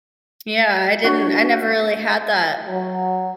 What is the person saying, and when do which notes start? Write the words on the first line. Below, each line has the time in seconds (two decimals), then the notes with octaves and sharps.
yeah, I didn't I never really had that.
1.04 D4 F#4 C#5
2.68 F#3